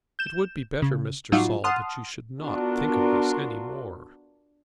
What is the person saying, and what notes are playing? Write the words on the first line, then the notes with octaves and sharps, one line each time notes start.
"It would be better, Mr. Saul, that you should not think of this any more."
G6 E7
C#3
A2 F#3 G3 D#4 F4 F#4
F#5 A5 C6 D#6 F6
B3 D4 F4 F#4 A#4